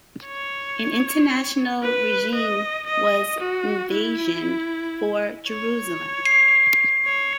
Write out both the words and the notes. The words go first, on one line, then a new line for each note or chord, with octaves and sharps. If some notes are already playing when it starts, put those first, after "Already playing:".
An international regime was envisioned for Jerusalem.
C#5
B4
D#5
D#5
F#4
E4
C#5
C#5